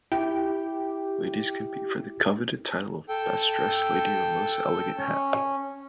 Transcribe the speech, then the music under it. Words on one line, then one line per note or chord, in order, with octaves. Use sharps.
Ladies compete for the coveted title of Best Dressed Lady or Most Elegant Hat.
E4 G4
A4 G5
C#4